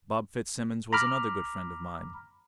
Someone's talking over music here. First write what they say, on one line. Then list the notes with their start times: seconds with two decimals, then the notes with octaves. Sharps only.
Bob Fitzsimmons was another good friend of mine.
0.93 A#5 B5 D6 F6